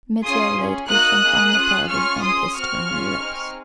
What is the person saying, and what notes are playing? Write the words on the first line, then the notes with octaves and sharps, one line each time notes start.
Mitya laid Grushenka on the bed and kissed her on the lips.
C#4 F4 G#4 C6 D#6
C#4 G#4
A#3 D#4 F#4 D#6 F#6
A#3 D#4 G#4
C#4 F4 G#4
C#4 F4 G#4 C#6 F6
C#4 G#4 C6 D#6
C4 F#4 C#6 F6
C#4 F4 G#4
C4 D#4 G#4